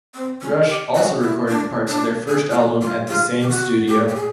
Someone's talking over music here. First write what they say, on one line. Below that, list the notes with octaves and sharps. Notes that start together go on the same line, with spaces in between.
Rush also recorded parts of their first album at the same studio.
C4
C#4
G4
F#4
E4
D4
D4
G#4
F4
F#4
F4
F4
G4
F#4
G4
G4
G#4